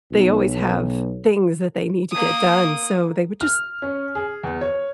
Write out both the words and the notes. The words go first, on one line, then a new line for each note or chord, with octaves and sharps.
they always have things that they need to get done- so they would just
B1
A#3 D#6
F6
C#4
G#4
E2
C#5